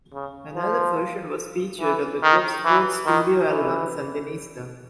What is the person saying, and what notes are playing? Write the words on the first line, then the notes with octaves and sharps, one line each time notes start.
Another version was featured on the group's fourth studio album Sandinista!
C#3
F3
E3
D#3
E3
D#3
E3